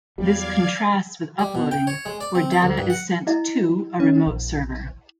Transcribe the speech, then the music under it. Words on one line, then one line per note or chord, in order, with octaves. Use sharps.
This contrasts with uploading, where data is sent "to" a remote server.
E2 F#3 G3 D5 F5 G#6
G3
B2
G5
C#5
G#3
D5
C4
E4
D2
G2
F#5
E4 D#5
C#4
A#1